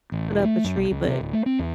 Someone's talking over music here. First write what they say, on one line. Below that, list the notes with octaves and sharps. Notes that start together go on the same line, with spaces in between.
put up a tree, but
A1
E1
A3
F#2
B1
C#2
C3
D1
A3
C4
E2